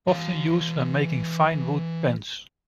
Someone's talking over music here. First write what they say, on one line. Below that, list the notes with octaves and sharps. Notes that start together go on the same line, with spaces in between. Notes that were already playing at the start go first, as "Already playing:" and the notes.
Often used when making fine wood pens.
E3 F5